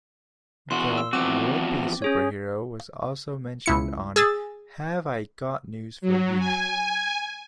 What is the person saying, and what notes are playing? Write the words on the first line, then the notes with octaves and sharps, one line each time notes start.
The would-be-superhero was also mentioned on "Have I Got News For You".
E2 F#4 C6
E6
E2 F3 C4 F#4 D6
C#4 G#4 C#5
C#2 E4 C#7
G#4 E6 A6
F#3
G#5